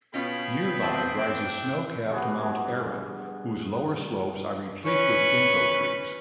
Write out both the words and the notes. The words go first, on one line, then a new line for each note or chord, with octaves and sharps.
Nearby rises snow-capped Mount Aran, whose lower slopes are replete with ginkgo trees.
B2 B3 C#4 F4 G#4 G5 B5
C4 A5
D4 G5
G2 B3 F#4 G#4
C#4 B4 C#6